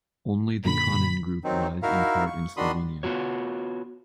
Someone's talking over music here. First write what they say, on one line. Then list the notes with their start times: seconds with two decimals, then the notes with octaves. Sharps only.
Only the Kanin group lies in part in Slovenia.
0.65 F#2 A#2 D3 B5
1.44 D#3 F#3 C4 D#4
1.83 D#4 E4 F#4 A#4 E5 F5
2.26 C#6
2.57 D#3 D4 F#4 B5 C6 D#6
3.03 B3 F4 F#4 C#5